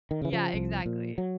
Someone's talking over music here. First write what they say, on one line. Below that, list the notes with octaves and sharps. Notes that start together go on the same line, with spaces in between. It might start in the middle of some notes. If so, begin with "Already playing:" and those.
Yeah, exactly.
D#3
C#3 E3
F3
C2
A#2
F#3